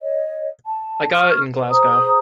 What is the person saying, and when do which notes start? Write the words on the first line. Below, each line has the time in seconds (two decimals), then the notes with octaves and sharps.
I got it in Glasgow.
0.01 C#5 D#5
0.66 A5
1.13 C#6 F6
1.55 C5
1.70 G#4 C5 A#5 D#6